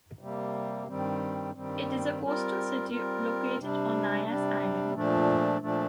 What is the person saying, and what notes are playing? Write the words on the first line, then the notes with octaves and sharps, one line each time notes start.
It is a coastal city located on Nias island.
C3 G3 A#3
G2 D#3 G3 C4
G2 D#3 G3 C4
G3 C4 F4 A#4
G3 C4 F4 A#4
C3 G3 D4
C3 G3 D4
A#2 F3 A3 D4
A#2 F3 A3 D4